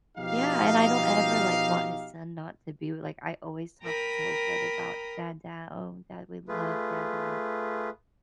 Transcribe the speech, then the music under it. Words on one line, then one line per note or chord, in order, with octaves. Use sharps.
Yeah. And I don't ever, like, want his son not to be w like, I always talk so good about, "Dad Dad. Oh, dad, we love dad dad."
B2 F3 D#4 G4 F5
A#4 G5 A#5 B5 D#6
A3 F4 G#4 B4